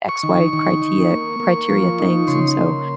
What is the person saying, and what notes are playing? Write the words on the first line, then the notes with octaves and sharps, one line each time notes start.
X-Y criteria- criteria things and so
C#6
D#3
D#3
D#4
A#3
A#3
F3
D#4
C#3 C6
A#3